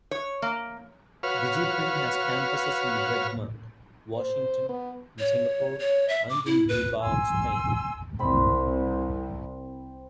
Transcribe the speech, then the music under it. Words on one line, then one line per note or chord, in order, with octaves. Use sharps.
DigiPen has campuses in Redmond, Washington, in Singapore, and in Bilbao, Spain.
C#5
A#3
F#4 B4 C#5 F5 F6
C5
B3
C#5
C#5
E5
D6
E4
B4
G#5 C6 E6
C2 C4 B5